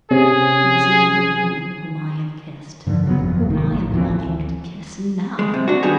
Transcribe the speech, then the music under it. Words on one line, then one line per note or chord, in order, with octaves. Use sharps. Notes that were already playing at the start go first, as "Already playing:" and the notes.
"There is another woman whom I have kissed--whom I am longing to kiss now."
C3 C#4 G#4
G2 D3 D#3 F3
C#3 F#3 B3
G1 F2
C3 D#3
A1
D2 E3 G3 C4
G#3
C3
D4 F#4
D#3 G3 B3 F#4 G#4